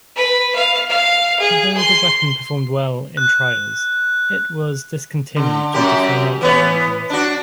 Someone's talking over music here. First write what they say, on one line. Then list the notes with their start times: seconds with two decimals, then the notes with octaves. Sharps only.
Although the weapon performed well in trials, it was discontinued due to financial reasons.
0.16 B4
0.55 F5
0.89 F5
1.39 G#4
1.76 C6
3.17 F#6
5.36 D3
5.74 F#2 G4
6.41 E3 B3 C#5
7.10 D4 F#4